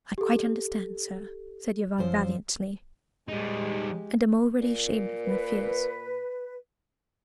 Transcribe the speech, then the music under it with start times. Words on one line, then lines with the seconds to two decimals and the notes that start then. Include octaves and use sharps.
"I quite understand, sir," said Yvonne valiantly, "and am already ashamed of my fears."
0.18 G4 A4
1.98 F#2 F3 C5
3.28 G3 G#3 D#4 G4
4.59 A#2
5.23 B4